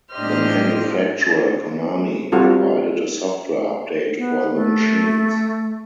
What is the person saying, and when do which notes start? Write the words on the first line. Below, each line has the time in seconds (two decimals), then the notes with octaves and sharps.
The manufacturer, Konami, provided a software update for the machines.
0.13 A2 D4 G4 C5 D#5 F6
2.32 G3 C4 F4 F#4 A4
4.18 B3
4.55 A3